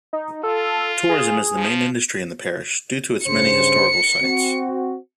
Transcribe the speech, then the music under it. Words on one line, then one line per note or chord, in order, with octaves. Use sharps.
Tourism is the main industry in the parish, due to its many historical sites.
D#4
F4 A4
G#4
F3
G2 C#3 C5 C#7
C4 F#4